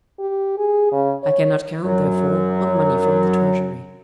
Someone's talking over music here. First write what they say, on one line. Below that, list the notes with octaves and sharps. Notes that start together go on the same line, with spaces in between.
"I cannot count, therefore, on money from the treasury."
G4
G#4
C#3
C#5
F#2 F#3